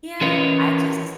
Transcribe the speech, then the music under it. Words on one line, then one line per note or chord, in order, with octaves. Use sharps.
Yeah, I just
E3 C#4 A#4 B4 C#5 D#5